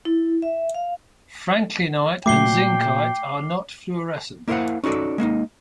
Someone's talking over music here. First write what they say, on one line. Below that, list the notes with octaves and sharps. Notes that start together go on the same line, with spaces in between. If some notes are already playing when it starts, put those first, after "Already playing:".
Franklinite and zincite are not fluorescent.
E4
E5
F5
A#2 F#3 A3 G5 D6 C7 G7
A#3 E4 A#4 C5 F5 F#5
C#4 D#4 F#4 A4 D5
G#3 A#3 C#4 D#4